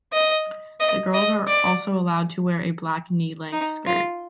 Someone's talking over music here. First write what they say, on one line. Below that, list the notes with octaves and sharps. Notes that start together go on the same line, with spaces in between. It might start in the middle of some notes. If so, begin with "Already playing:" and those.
The girls are also allowed to wear a black knee length skirt.
D#5
D#5
D#5
D5
D#4
F4